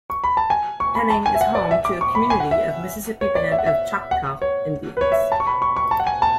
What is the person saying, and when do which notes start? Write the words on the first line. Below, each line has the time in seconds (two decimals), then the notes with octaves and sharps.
Henning is home to a community of Mississippi Band of Choctaw Indians.
0.10 C#6
0.24 B5
0.37 A5
0.50 G#5
0.80 C#6
0.95 B5
1.10 A5
1.26 G#5
1.35 E5
1.41 F#5
1.55 D5
1.71 E5
1.85 D6
2.01 C#6
2.15 B5
2.30 G#5
2.40 F#5
2.51 E5
3.21 C#5
3.35 D5
3.52 E5
3.58 F#5
3.66 E5
4.11 F#5
4.42 C#5
4.97 B4
5.01 C#5
5.12 E5
5.32 A5
5.40 C#6
5.47 B5
5.62 C#6
5.77 C#6
5.91 A5
6.00 F#5
6.07 G#5
6.22 A5